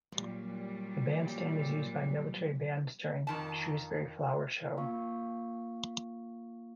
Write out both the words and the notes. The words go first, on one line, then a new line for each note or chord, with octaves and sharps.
The bandstand is used by military bands during Shrewsbury Flower Show.
A#2 F#3 G3
F2 D#3 A5
A#3 F4 F5 C#6